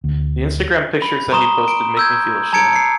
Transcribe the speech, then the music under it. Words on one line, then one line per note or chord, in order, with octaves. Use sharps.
The Instagram pictures that he posted make me feel ashamed.
D2
B5
A#5 C6 C#6 D#6 E7 G7
D7
E6 G6 G#6
A5 A#5 G#6 C#7 D7
C7 C#7